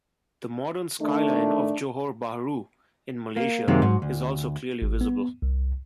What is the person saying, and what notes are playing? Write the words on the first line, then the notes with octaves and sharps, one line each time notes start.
The modern skyline of Johor Bahru in Malaysia is also clearly visible.
D#3 A3 D4
A#3
F#2 C3 D#3 G#3 A#3
G#2 F#3
D2
G#1
B3
C2